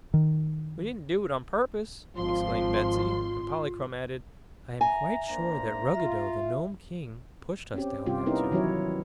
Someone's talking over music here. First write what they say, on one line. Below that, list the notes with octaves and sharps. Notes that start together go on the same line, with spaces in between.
"We didn't do it on purpose," explained Betsy, and Polychrome added: "I am quite sure that Ruggedo, the Nome King, pushed us down that Tube."
D#3
G#1 F3 F4 C6
E5 G#5 A#5
A#3 D4 C5 A#5
F4 E5
C4 C#4 G4
C3 G3 F4 G4
B3 C#4 D#4 E4 G4 A#4
D#3 E3 F#3 C#4 E4 C#5